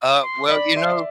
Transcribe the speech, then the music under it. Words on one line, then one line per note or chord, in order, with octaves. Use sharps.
Uh, well, you know
C6
D5 B5
E5 C6